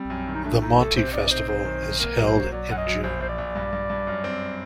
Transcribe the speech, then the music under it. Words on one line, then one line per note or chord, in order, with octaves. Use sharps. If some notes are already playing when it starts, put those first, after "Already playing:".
The Monti Festival is held in June.
Already playing: G3 C4
F#2
D#3
D#4
A3 D4
A2 D#4
A1 A4
C3 C5
D#4 D5
C4 C5
F#2 C5
D#3
D#3
A#3 A#4
F#3
C5
F#3
F#3 D5
F#2 F#5
D#5
F#3
A#1 C5
A#1 C5
D5
A#1
G2
G2
G2
F#2
C4